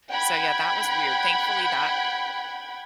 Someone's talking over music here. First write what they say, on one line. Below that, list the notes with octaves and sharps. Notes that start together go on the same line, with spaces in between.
So, yeah, that was weird. Thankfully, that
F#5 G5 B5 G#6